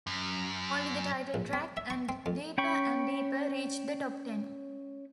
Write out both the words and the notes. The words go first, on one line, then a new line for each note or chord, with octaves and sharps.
Only the title track and "Deeper and Deeper" reached the top ten.
F#2
A#1
C4
E5
C#6
C4
F2
C#4 G5 B5 C#6